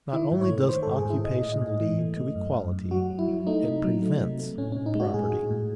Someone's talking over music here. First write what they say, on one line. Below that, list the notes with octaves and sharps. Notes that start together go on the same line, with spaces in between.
Not only does occupation lead to equality, it PREVENTS property.
D#3 E4
G#2
C#5
A3
D#3 C5
G#2 A4
G#4
G#2 E4
A2 D#5
A2
D#5
A2
E3
A3
A3
F#2
F#2
F#2
F#3 F#4
F#3
E4
F#3
A3 D#4
C3
F#3
A3
C3
A3
A2 C#4
A2 C#4
D#4
G#3 F#4
A2 G#4
A2
A2